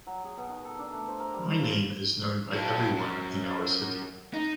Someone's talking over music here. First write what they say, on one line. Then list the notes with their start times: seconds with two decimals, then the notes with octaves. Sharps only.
My name is known by everyone in our city.
0.07 F#3
0.24 G#4
0.38 B2
0.49 D#3
0.65 A4
0.79 D4
0.93 A3
1.08 C5
1.20 A#4
1.34 G3
1.47 A#4
1.59 F4
2.53 F#3 D4
2.97 F#2
4.34 D#4